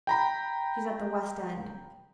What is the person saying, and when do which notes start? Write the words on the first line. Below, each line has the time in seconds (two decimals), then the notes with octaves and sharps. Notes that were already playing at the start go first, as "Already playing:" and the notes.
She's at the West End.
0.07 G5 A#5 B5